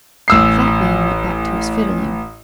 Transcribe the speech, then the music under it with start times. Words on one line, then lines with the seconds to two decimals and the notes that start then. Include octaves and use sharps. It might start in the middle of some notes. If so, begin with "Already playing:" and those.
The fat man went back to his fiddling.
0.28 A1 E6 C7